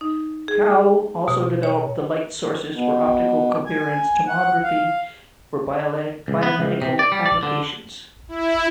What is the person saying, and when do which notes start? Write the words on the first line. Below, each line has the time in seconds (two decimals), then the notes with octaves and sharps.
Cao also developed the light sources for optical coherence tomography for biomedical applications.
0.01 D#4
0.48 G#4
1.28 B2
1.63 C#5
2.73 B2
3.66 G#5
4.27 F#5
4.64 F5
6.28 C#2
6.43 B3
6.59 C#2
6.82 C3
6.99 D5
7.12 G3
7.26 D5
7.43 D3
8.28 E4